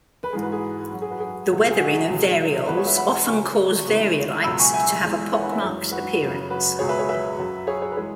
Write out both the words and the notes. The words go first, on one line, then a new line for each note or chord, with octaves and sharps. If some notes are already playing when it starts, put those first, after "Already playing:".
The weathering of varioles often cause variolites to have a pock-marked appearance.
B4
G#2 E3 G#3 G#4
F#4 B4
G#4
F#2 F#3 F#4
G#4
F#4 B4
G#4
C#2 B2 F#3
G#4
F#4
G#4
C#2 B2 F#3
E2 E3 G#3 F#4 B4
G#4 C#5
B4 E5
F#5 B5
C#2 C#3 F#3 G#5 C#6
E2 C#3 G#3
C#2 B2 F#3 B5 E6
G#5 C#6
E5 G#5
E2 E3 G#3
C#5 F#5
B4 E5
B4 E5
F#2 E3 G#3 G#4 C#5
F#4 B4
F#2 C#3 F#3
F#4 B4
C#2 B2 F#3 G#4 C#5
B4 E5
G#4 C#5
B4 E5
F#2 F#3
G#4 C#5
G#4 C#5
B4
E3 G#3 G#4 C#5